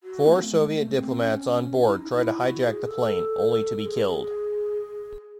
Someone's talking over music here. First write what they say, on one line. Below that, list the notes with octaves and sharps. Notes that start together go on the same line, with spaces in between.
Four Soviet diplomats on board try to hijack the plane, only to be killed.
F#4
A3
C4
A3
G#3
A3
C4
C#4
E4
D#4
E4
F#4
G#4
A4
G#4
G#4